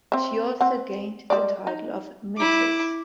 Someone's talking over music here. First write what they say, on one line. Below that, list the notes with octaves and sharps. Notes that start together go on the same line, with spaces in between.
She also gained the title of Mrs.
C4 E5
C4 F#5
G3 G#3 D5
D#4
E4 D6